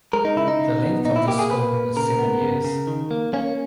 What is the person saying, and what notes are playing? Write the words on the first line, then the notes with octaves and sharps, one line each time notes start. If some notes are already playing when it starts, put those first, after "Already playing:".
The length of the school is seven years.
G#3 A#4
D#4
C#3 E4
D#4
C#3
B3
A#2 D#4
E4
A#3 G4
G#4
A#2 B4
A#2
C#3 A#4
B3
C#3
C#3
D#3
A#3
A#3 C#4